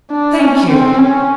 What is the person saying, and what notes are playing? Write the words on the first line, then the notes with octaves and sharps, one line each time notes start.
'Thank you.
D4
C#4
C4
C#4